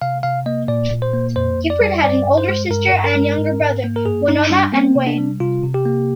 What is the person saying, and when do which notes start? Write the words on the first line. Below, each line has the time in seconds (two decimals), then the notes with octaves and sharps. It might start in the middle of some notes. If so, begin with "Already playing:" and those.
Gifford had an older sister and younger brother, Winona and Waine.
0.02 C3 F5
0.23 C3 F5
0.46 A#3 D#5
0.68 A#2 D5
0.91 A#2
1.02 C5
1.14 A#3
1.36 F2 C5
1.58 F2
1.70 D5
1.81 G3
2.03 G2 D5
2.26 G2
2.38 C5
2.49 G#3
2.70 G2 A#4
2.93 G2
3.04 A#4
3.16 G#3
3.38 G#2
3.60 G#2
3.84 A#3
3.96 A#4
4.05 G2 G#4
4.28 G2 D#4
4.50 G3 D4
4.73 A#3 C4
4.95 C3
5.07 D4
5.18 G3
5.40 C3 F4
5.63 C3
5.74 G4
5.85 A#3